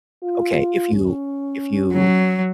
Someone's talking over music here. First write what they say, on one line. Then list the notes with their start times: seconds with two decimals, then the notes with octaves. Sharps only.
okay, if you if you
0.23 F4
0.94 C#4
1.93 F#3